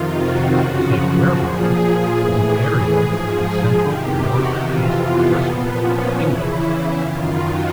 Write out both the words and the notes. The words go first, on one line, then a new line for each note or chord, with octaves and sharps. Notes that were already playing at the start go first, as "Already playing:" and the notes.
Saint Werburgh's is an area in central north-east Bristol, England.
Already playing: F2 C3 D#3 F4
F#4
F#2 C#3 F3
A#2 F3 G#4
A2 E3
G#2 F3 G#4
E2 C3 D#3 G4
F#4
F2 C3 E3 F4
B3
A#2 F3 B3
C#4
E2 C#3 E3 E4
F#2 D#3 F4
F#4